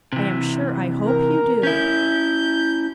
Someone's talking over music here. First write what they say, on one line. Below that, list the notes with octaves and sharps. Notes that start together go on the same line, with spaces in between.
I am sure I hope you do.
C3 E3
A#4
C#4 E4 G6